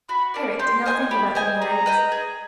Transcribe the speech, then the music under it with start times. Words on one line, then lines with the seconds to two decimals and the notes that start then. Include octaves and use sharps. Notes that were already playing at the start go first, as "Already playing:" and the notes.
Eric did not think about being late.
0.09 F#4 B5
0.34 A#4 D5
0.59 G4 C6
0.86 C5 D#5 G#5
1.11 G4 B5
1.35 C5 D#5 G#5
1.61 G#4 A#5
1.86 B4 D#5 G5
2.12 G#4